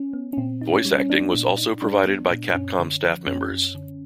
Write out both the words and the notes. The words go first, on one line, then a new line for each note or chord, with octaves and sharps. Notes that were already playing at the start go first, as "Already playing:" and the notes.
Voice acting was also provided by Capcom staff members.
Already playing: C#4
B3
C#4
A#2 C4
D#4
C#4
G3
C#4
B3 D4
A#2
D#4
G3 D4
B3
A#2
F#2 C#4
D3
F3
F#2 C#4
F#2
D3